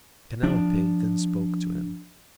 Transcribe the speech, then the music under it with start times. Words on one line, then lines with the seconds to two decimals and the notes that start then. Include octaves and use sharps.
Penelope then spoke to him.
0.43 F3 D4